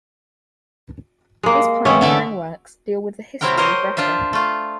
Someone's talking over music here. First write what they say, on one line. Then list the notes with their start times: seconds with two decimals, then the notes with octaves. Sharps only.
His pioneering works deal with the history of Russia.
1.43 G#3 A#3
1.85 C3 E3 B3 C#4
2.01 D3 D5 E5
3.41 C3 F#3 C4 E4 A#4 G5
3.57 A#4 C5 C#5 D#5
3.97 D4 F4 C5 E5
4.33 A3 F4